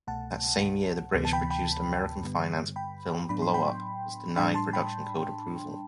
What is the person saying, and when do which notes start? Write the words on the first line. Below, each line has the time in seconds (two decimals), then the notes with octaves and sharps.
That same year, the British-produced, American-financed film "Blowup" was denied Production Code approval.
0.07 C2 B2 A3 F#5 A5
1.15 D2 C3 E3 B3
1.25 A5
1.33 G5 B5
1.51 G5 B5
2.23 G2 D3 G3 B3
2.76 G5 B5
3.29 A2 F#3 B3 D4 B5
3.42 C6
3.54 G5 B5
4.37 A2 G3 D4 G5 B5
4.54 A5 C6
4.73 G5 B5